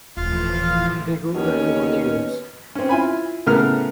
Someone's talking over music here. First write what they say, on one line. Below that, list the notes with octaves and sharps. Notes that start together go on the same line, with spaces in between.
They go where the money goes.
D#1 B1 A2 E3 F3 F4 F5
D#2 B2 C#4
C4 C#4
E4 F4 G#5 B5
A2 C#3 B3 A#4 F6